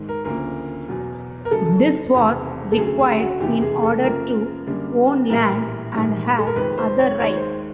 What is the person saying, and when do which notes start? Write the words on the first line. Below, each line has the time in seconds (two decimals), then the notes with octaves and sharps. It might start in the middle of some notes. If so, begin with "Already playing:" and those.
This was required in order to own land and have other rights.
Already playing: G#2 D#3
0.09 A#4
0.25 D2 C#3 F3 A#3 A#4
0.88 E2 B2 F#3
1.45 A#4
1.51 F#2 C#3 F#3 A4
2.14 E1 E2 C3 D#3
2.72 A4
2.77 D2 C#3 F#3 A3 G#4
2.99 G#4
3.20 F#4
3.40 F1 E2 C#3 E3 A3 G4
3.61 G#4
3.83 A4
4.04 F#2 C#3 F3 A#3 A#4
4.67 F#2 D3 G3 A#3
5.29 A#1 A2 E3 G3 A#3 A#4
5.94 A#1 G#2 D#3 G3
6.39 A4
6.47 A#4
6.56 F2 C3 D#3 G#3 B4
6.78 C5
6.99 C#5
7.20 D#2 D#3 G#3 C#5
7.36 C5